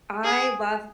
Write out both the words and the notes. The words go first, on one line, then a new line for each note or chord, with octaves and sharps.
I love
G#4